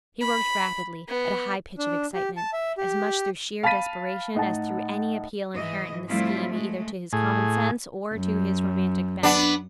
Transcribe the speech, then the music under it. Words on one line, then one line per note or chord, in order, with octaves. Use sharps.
He worked rapidly, at a high pitch of excitement--as much through sheer desperation as through any appeal inherent in the scheme either to his common-sense or to his romantic bent.
B5
B3
D4
G4
A5
E5
G4
F5 A5 B5 A6 B6 D#7
A2 D#4 F#5 A5
G#2 E3 D#5
F3 G3 A3 C4 E4 F4
G#3 A3
A2 G#4
F#2
B3 D4